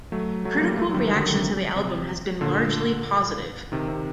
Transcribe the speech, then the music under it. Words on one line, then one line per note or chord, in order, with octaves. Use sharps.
Critical reaction to the album has been largely positive.
F#3 A3
F#3 A3
G3 A#3
G3 A#3
F#3 A3
F#3
D#3 G3
D3 F#3
D#3 G3
D3 F#3
C3
C3
A#2 D3
C3 D#3
C3